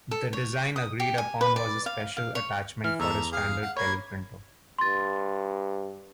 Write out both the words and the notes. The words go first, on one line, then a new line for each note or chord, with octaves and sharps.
The design agreed upon was a special attachment for a standard teleprinter.
A4
C#5
D#6
G4
G#5
B4
D5
F5
F5
C#5
E3 F6
E2 A4 E5 A#5
G#4 F5
F#5
A#3 B4 C#5 G#6
G2 C6 A6